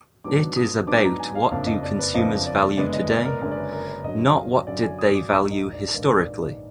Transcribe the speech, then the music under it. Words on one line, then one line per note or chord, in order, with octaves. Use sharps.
It is about what do consumers value today, not what did they value historically.
G#2 F#3 B3 D4 D6
D#6
G#2 F#3 B3 D4 D6
A#5
G#5
F5
F#1 F2 F3 A#3 D4 F5
D#5
D5
B4
F#1 F2 F3 A#3 D4 D#5
D5
F#1 F#2 D3 G#3 B3 D5
D#5
D5
A#4
F#1 F#2 D3 G#3 B3 A#4
D5
B4
A#4
B4
F#2 D3 F#3 D#5
F5
F#2 D3 F#3 D5
G#5
D#6
D6
A#1 G#2 D#3 A#3 A#5
D#5
D5
A#1 G#2 D#3 A#3 B4
D5